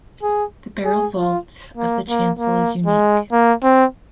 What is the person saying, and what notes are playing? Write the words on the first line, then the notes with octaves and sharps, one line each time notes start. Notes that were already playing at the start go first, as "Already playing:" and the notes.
The barrel vault of the chancel is unique.
G#4
G#4
F4
A#3
A#3
A#3
G#3
A#3
C4